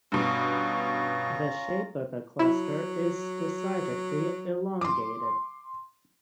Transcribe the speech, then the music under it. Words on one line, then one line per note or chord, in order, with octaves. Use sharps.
The shape of the cluster is decidedly elongated.
G2 B2 C#4 F4 A#5
F#3 E4
C6 D6